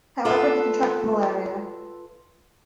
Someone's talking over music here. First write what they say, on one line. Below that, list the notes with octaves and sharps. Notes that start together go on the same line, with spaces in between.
However, he contracted malaria.
F4 A4 B4 E5